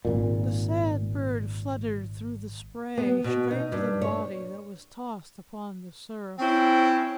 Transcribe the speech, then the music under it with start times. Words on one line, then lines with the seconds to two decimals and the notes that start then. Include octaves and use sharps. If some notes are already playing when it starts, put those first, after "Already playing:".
The sad bird fluttered through the spray straight to the body that was tossed upon the surf.
0.05 G#1 A#2
2.97 B3
3.24 B2
3.51 D#4
3.72 G2
4.02 C#5
6.39 C4 C#4 E4 C5